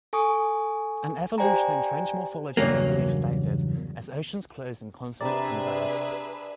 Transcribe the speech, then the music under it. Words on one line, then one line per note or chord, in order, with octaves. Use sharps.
An evolution in trench morphology can be expected, as oceans close and continents converge.
A4 G#5 C#6 D#6
G4 C5 D5 G5 G#5 A#5
E2 G2 C#3 F#3 A#3
C3 D4 G4 G#4 A#4 B4 D5 E5